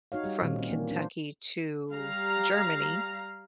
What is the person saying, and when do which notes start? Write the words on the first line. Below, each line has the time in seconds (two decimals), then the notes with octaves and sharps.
from Kentucky to Germany
0.12 D#4 F#4 C#5 F5
0.24 G3 G4
0.42 A#2 D#3 G3 C4 C#4
0.59 C#4
0.71 E3 A#3
0.91 D4 C5
1.91 G3 F5 A#5